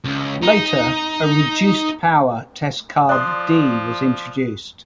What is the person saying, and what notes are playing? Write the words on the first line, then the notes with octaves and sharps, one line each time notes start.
Later, a "Reduced Power" Test Card D was introduced.
C#2
D#4
F3 D5 C6 D#6 F#6